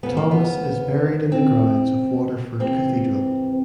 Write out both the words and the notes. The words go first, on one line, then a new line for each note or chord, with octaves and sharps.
Thomas is buried in the grounds of Waterford Cathedral.
D#2 C#3 F3 B3
A#3
B3
C4
F2 C3 E3 C4